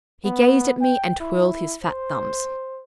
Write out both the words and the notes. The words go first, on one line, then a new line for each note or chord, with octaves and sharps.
He gazed at me, and twirled his fat thumbs.
B3
G5
E4
C5